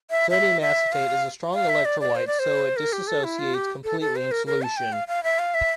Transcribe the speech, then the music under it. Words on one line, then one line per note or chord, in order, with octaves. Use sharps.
Sodium acetate is a strong electrolyte so it dissociates completely in solution.
E5
E5
E5
F5
F5
E5
D5
D5
C5
D5
C5
A#4
G4
A4
E4
F4
G4
A4
A4
C5
A#4
A#4
A5
G5
F5
F5
E5
F5
E5